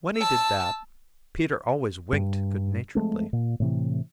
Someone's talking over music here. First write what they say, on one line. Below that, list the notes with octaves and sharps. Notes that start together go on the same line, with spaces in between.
When he did that, Peter always winked good-naturedly.
A5 E6
G2
F3 G#3 A3 C4
A#2
A2 C3 E3